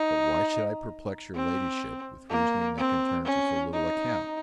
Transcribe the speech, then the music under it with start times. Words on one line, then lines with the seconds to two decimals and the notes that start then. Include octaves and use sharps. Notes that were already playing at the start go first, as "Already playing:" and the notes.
But why should I perplex your Ladyship with reasoning that can turn to so little account?
Already playing: D#4
1.35 C4
2.30 A#3
2.78 C4
3.25 C#4
3.73 D#4